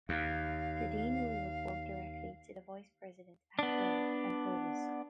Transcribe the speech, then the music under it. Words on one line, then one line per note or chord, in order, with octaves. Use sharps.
The dean will report directly to the vice president, academic and provost.
D#2 F5
B3 D4